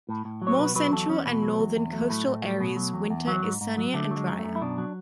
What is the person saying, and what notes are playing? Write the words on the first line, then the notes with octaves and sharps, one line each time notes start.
More Central and Northern Coastal areas winter is sunnier and drier.
A2
A2
F#3
C#5
B2 B4
F#3 B4
E2 A4
E2 C#4
B2
F#3
E2
E2
F#3 A3
A2
A2
F#3
B2
F#3
E2
E2
F#3
G#2
G#2
F#3
D3 A3
F#3
G#3
F#2
A3
F#2
E4
B2 D4
F#3